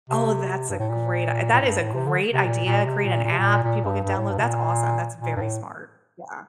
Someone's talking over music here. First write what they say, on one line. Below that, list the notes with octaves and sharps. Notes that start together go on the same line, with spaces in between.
Oh, that's a great i that is a great idea, create an app, people can download, that's awesome, that's very smart, yeah.
C3
G2
A2
A#2
A#2
A2
G2
A2
C3
D3
C3
A#2
A#2
C3
A#2
A#2
C3
A#2
A#2
G2
G2
A2
G2
C3
A#2
A#2
G2
A2